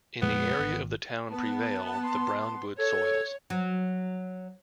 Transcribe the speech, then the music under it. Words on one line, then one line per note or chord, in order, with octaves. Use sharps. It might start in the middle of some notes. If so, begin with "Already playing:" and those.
In the area of the town Prevail the brown wood soils.
F2 A#2 G#3 B3
G#1
B3 A5
C6
A4 C#5 G#6
F#3